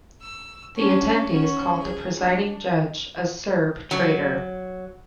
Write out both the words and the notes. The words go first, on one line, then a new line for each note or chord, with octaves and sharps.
The attendees called the presiding judge a "Serb traitor".
E6
C#4 D4
C#4 F#4
G#4
D4
F#3